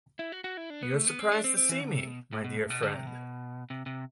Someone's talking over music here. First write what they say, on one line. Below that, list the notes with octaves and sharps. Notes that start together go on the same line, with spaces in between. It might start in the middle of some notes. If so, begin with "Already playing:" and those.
You're surprised to see me, my dear friend.
E4
F#4
F#4
E4
D4
B3
A3
B3
C4
D4
C4
C4
E3
D3
C3
B2
A2
B2
A2
B2
D3
C3
B2
C3
C3